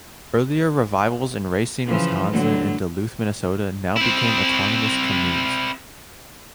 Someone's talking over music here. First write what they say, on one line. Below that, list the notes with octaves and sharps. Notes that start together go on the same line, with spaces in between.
Earlier revivals in Racine, Wisconsin, and Duluth, Minnesota, now became autonomous communes.
C#3 E3 F3
A2 D3 F#3
C4 E4